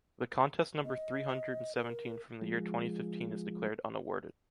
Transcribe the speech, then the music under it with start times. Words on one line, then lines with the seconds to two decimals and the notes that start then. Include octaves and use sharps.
The contest number three hundred and seventeen from the year twenty fifteen is declared unawarded.
0.84 D#5
1.75 A#4
2.42 F3 G#3